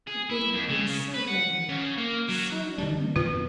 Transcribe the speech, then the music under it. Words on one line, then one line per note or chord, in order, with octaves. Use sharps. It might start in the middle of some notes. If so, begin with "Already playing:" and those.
It would have been so lonely, so lonely!
G#4
E4
F2
C#3
B4
F#5
C#3
A#3
F#3
D3 E3 G3
F2 B2 D#3 F4 B4